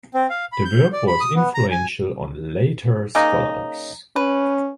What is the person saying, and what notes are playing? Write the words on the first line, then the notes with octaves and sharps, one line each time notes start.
The work was influential on later scholars.
C4
F5
B5
G6
D5
B5
D#6
B3
A#5
G#5
C#3 A#3 D#4
C#4 B4